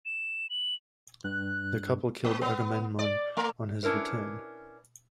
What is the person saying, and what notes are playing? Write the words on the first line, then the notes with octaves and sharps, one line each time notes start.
The couple killed Agamemnon on his return.
E7
F#7
G2 F#6
A#3
B3
D5
A3
C#4 D4 E4 A#4 B4